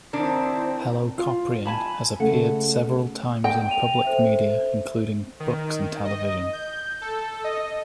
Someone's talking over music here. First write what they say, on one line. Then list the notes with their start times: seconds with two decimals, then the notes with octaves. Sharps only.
"Helicoprion" has appeared several times in public media, including books and television.
0.13 D#3 C4 D4 E4
1.18 F4
1.66 G#5 A5 B5
2.20 C#3 A3 F#5
3.44 G5 A#6
3.69 D#7 F7
4.05 A4 C5 E5
5.40 D#3
6.05 D#5
6.53 G6
7.02 A4
7.44 D#5